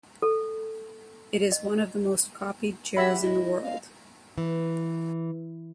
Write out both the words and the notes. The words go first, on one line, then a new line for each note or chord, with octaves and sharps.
It is one of the most copied chairs in the world.
A4
D#5
F#3 G4 E5 F#5 B5
E4 D#5
F5
E3